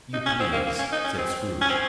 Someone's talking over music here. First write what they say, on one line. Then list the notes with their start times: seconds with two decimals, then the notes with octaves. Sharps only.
"If you please," said Scrooge.
0.13 D#4
0.26 C#4
0.40 C4
0.52 A#3
0.66 A#3
0.78 C#4
0.92 D#4
1.04 C#4
1.17 C4
1.61 C#4
1.70 C4